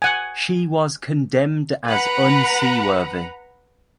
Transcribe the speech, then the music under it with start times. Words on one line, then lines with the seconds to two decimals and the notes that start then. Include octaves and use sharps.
She was condemned as unseaworthy.
0.02 F#5 G#5
1.86 B4 F#5 A#5 B5